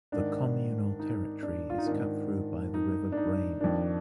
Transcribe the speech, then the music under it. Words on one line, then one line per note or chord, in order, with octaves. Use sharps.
The communal territory is cut through by the river Brame.
G#2 D#3 D4
D#4
D4
F4
D#4
G#2 D#3 D4
D#4
D4
D#4
F2 D#3 D4